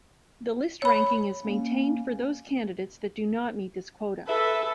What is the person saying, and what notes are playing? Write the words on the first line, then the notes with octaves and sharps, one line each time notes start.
The list ranking is maintained for those candidates that do not meet this quota.
C#5 B5
A#3 C#4
A4 B4 E5